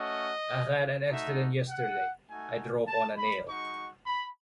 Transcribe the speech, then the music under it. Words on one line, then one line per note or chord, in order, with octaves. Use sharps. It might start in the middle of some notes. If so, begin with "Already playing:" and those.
I had an accident yesterday, I drove on a nail.
Already playing: A3 C#4 F#4 D#5
A3 D#4 F#4 E5
F#5
A3 D#4 F#4 G#5
A5
B5
G#3 D#4 F#4 C#6
B5